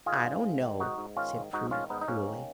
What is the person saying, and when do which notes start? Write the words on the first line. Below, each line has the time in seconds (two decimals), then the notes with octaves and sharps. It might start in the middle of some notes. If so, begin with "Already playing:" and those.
"I don't know," said Prudy, coolly.
0.06 D#3 F4 G#4
0.25 G#2
0.43 G#2
0.61 D#3
0.80 G#2 D#4 F#4
0.98 G#2
1.17 D#3 C#4 F4
1.35 G#2
1.53 G#2 D#4 F#4
1.71 D#3 C#4 F4
1.90 G#2 B3 D#4
2.01 D#4
2.08 G#2 A#3 C#4
2.27 D#3